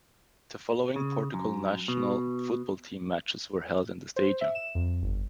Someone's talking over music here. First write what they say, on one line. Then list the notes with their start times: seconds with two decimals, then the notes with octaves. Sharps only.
The following Portugal national football team matches were held in the stadium.
0.96 C#3
1.34 F#2
1.88 B2
4.16 C5
4.41 E5
4.55 E7
4.75 F2
5.03 G1